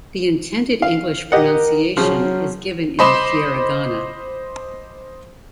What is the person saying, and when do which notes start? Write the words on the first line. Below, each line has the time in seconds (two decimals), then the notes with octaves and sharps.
The intended English pronunciation is given in furigana.
0.82 F5
1.32 G4 A#4 D#5 F#5
1.97 C#3 F3 F#3
2.99 C5 D#5 B5 C6 D6 E7